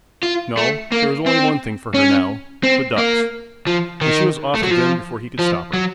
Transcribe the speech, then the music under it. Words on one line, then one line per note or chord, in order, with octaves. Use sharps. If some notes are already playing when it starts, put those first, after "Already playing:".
No--there was only one thing for her now--the ducks, and she was off to them before he could stop her.
F4
A3
A#3
C4
C#4
C4
A#3
F3
D#3
A3
F#3
F3
F3
F#3